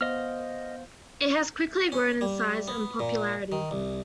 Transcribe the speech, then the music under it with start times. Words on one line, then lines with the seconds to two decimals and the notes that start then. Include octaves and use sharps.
It has quickly grown in size and popularity.
0.01 B3 C5 D#5 F5 F6
1.92 C#4
2.21 G3
2.68 B3
3.00 A#2
3.52 D#3
3.71 C2